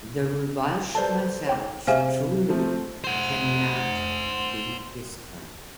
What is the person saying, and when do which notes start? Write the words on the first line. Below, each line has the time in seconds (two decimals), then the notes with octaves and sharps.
The revulsion I felt truly cannot be described.
0.95 A4 B4 C5 D5 A5
1.47 C#5 G5 D6
1.87 C3 G#4 C5 E5 F5 G#5 F6
2.49 F3 A3 C4
3.04 C5 F#5